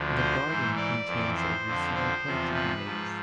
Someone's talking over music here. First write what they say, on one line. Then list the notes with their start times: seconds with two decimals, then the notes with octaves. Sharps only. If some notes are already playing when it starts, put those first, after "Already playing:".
The garden contains a recently planted maze.
Already playing: D2 D3 F3
0.17 C5
0.47 G#2 E3
0.77 D5
1.06 F2 E3
1.37 C5
1.66 F2 D3 F3
1.95 C5
2.26 E2 C3 F3
2.54 B4
2.85 G#2 F3